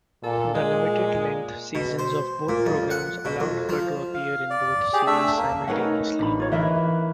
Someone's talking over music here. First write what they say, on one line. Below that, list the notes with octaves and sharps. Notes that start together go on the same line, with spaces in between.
The limited-length seasons of both programs allowed her to appear in both series simultaneously.
A#2 A4
A#2 G#3
B2
C5
A#2
F2
F#5
B2
F2
F3
F5
D5
G4 G#4
A3 D4 E5 E6
A#3
A3 C#4 D#4 A#4 B4 F#5
A1 D4 B5
F4 C#5
E3 A#3 B4 D#5 E5